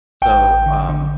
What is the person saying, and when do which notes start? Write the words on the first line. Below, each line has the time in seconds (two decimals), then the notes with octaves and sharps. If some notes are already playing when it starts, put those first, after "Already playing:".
so, um,
0.22 A1 G5
0.44 A1
0.66 D3
0.89 D3